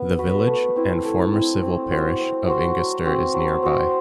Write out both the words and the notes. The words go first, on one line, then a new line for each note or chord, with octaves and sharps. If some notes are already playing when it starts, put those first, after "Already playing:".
The village, and former civil parish, of Ingestre is nearby.
Already playing: B3
F#4 B4
A3
C4 E4
A3
C4 E4
C4
F#4 C5
C4
F#4 C5
F#3
C4 F#4 C5
F#3
C4 F#4 C5